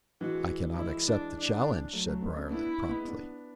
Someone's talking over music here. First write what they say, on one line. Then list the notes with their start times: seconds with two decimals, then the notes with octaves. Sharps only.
"I cannot accept the challenge," said Briarly, promptly.
0.21 E3 G#3 F#4
0.78 E3 G#3 E4
1.07 D4
1.36 D4
1.93 F#3 A3
2.07 F#3 A3
2.22 G#3 B3
2.36 A3 C#4
2.50 B3 D4 E4
2.89 G#3 B3
3.08 B3 D4